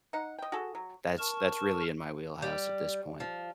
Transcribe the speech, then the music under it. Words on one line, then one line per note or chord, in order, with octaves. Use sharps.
That's that's really in my wheelhouse at this point.
D#4 F#5
D#5 G5
F#4 G#4 A4
F#3
A#4 A5 C#6
G3
F3